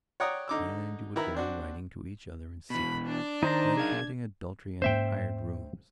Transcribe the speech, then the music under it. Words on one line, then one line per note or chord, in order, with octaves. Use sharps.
And you would go on writing to each other in secret, and committing adultery in hired rooms.
C#5 D5 F#5 G5 A#5 D#6
D3 D#4 D6 E6
D#3 E4 B4 A#5 B5 E6
C4 D4 F#4
B2 E3 B5
D4 D5
D#3 D#4 C5 A#5
G#4 A#4 F5 G#6
G#2 A#3 C#4 C5 E5 G5